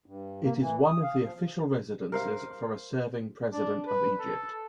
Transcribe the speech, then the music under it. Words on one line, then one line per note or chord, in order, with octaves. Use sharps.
It is one of the official residences for a serving President of Egypt.
G2
A#3
E3
D#6
F5
F3
A#4 C5 F5
D4
B4
A4